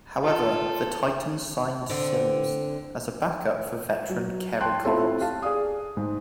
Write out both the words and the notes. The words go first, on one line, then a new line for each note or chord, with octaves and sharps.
However, the Titans signed Simms as a backup for veteran Kerry Collins.
F4 A4
D3 C4
F#3
G5 A5 C6 F#6
C4 E4 F4 A4 C#5 A5
G4 F5 A5
G#4 D5 F5 D#6
G#2